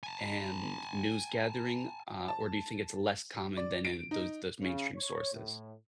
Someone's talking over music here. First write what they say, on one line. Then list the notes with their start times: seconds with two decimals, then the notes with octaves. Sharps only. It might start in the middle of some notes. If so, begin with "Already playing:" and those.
um, news gathering? Uh, or do you think it's less common than in those those mainstream sources?
0.03 G#5 A5
2.28 A5
3.57 D5
3.85 D7
4.11 D#4
4.61 C#3
4.97 C#5
5.33 A2